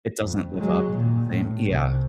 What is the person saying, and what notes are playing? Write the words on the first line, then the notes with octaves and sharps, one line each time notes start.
It doesn't live up to the same Yeah,
F2
F#3 G#3
A#2 D#3
A2
C2 C3